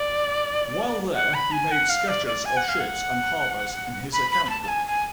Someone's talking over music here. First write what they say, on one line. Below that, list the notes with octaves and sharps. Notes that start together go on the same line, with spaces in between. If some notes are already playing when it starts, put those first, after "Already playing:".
While there, he made sketches of ships and harbors in his account books.
Already playing: D5
F#5
B5
G#5
F#5
F5
D5
D5
G#5
F#5
F5
F#5
B5
B5
B5
A5
A5
G#5
G#5